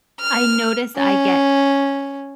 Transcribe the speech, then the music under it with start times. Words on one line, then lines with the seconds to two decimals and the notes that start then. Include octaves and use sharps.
I noticed I get
0.20 F6
0.96 C#4